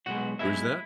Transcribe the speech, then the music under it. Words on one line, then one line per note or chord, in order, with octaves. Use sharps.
Who's that?
B1 B2 G#3 F#4 F#5
B1 B2 G#3 E4 E5